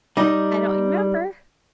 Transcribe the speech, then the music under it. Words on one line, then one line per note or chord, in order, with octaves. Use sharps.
"I don't remember."
G3 D#4